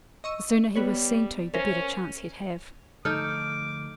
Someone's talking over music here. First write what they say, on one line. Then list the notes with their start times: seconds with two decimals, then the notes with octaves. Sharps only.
The sooner he was seen to, the better chance he'd have.
0.24 D#5 C#6 E6
0.76 G3 B3 B4 C#5
1.54 C#4 A#4 C5 E5
3.05 D3 F3 A3 D#4 A4 D6 F6 G6